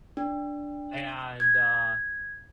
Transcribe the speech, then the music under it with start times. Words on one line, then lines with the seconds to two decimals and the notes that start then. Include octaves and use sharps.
and, uh,
0.17 D4
1.40 G#6